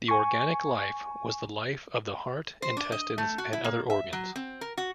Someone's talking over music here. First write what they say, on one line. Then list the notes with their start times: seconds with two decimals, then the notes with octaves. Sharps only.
The organic life was the life of the heart, intestines, and other organs.
0.08 G#5 C#6
2.62 C5
2.77 D4
2.92 D#5
3.18 A3
3.38 F#4
3.53 E4
3.64 A#3
3.90 E5
4.13 F#3
4.36 C4
4.61 A#4
4.78 F#4